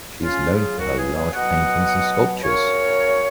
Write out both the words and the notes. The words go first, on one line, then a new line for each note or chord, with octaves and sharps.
She is known for her large paintings and sculptures.
C#3 F#3 C#4 F4
F4 G#4
F#4 A#4
G#4 B4
G#4 B4
B2 F#3 D#5 F#5
C#3 F#3 A#4 C#5